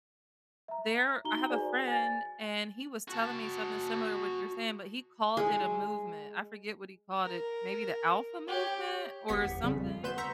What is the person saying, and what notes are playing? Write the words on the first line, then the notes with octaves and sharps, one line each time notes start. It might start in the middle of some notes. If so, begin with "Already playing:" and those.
there I have a friend, and he was telling me something similar to what you're saying, but he called it a movement. I forget what he called it. Maybe the alpha movement or something?
E5 A#5
D#4 F#4 A#5 G7
F#4 G#4 B4 C5 D5 G#5
G#5 A6
F#4 A5
G#3
A#4
G4 C#5
G1 B3 G4 G#6 B6 C#7
E2
F2 C#3 G3
D2 B3 B4 C6 G6 E7
A#5 C#6 E6 G6 A#6 B6